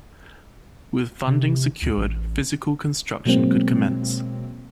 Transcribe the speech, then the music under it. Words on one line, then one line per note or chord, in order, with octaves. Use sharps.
With funding secured, physical construction could commence.
C3
D2
A1
B2 F#3 G#3 A#3 C4